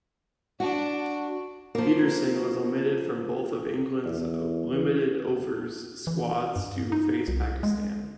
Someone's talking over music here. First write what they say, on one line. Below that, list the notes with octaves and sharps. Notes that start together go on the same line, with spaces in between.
Pietersen was omitted from both of England's limited-overs squads to face Pakistan.
D4 F#4
F3 A#3
E2
E3
E3
G2
D#4
C2
G#3